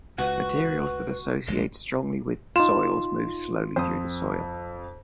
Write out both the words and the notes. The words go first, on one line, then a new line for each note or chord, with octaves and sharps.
Materials that associate strongly with soils move slowly through soil.
C#2 F#4 B4
G1 C2 F3 G#3
D#4 F4 C6 E7
F2 C5 D#6